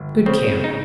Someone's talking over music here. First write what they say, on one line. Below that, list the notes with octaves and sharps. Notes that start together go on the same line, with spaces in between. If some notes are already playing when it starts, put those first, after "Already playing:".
Good camp.
Already playing: G1
C#3 C4
D#4